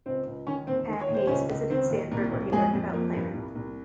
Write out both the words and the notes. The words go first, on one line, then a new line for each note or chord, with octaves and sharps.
Pat Hayes visited Stanford where he learned about Planner.
C#2 C4 C5
C#2
D#3 C#4 C#5
D#2 C4 C5
D#3
C#5
D#2
C5
C#2 C#4 C#5
C#2
D#3 C4 C5
D#2
C2 A#3 A#4
C2
F2 G#3 G#4
F2
F3 A#3 A#4
G2
C2
C2